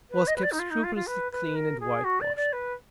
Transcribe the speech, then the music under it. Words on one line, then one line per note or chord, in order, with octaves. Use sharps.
It was kept scrupulously clean and whitewashed.
B4
D#5
B4
D5
D#4
F4
D#4
F4
F4
B4
B4
A#4
G#4
F#4
D5
D5
B4